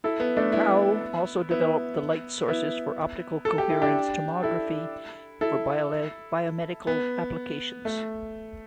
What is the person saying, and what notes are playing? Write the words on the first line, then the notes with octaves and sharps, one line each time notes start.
Cao also developed the light sources for optical coherence tomography for biomedical applications.
E4 A4
B3
A3 D4
B3 E4
B3 E4
B3 E4
A4
G4
E4
D4 G4
E4 A4
E4 A4
B3
A3